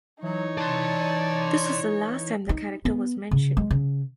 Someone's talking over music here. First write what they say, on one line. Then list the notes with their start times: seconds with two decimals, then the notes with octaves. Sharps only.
This was the last time the character was mentioned.
0.22 E3 F#3 D#4 C#5
0.57 D5 A5 C6
2.49 D#4
2.85 B3
3.31 C#3
3.57 G#3
3.71 C#3